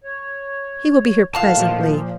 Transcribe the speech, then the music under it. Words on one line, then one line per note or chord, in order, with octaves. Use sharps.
He will be here presently.
C#5
A2 D#3 F4 F5 F#5 A5
A#2 F3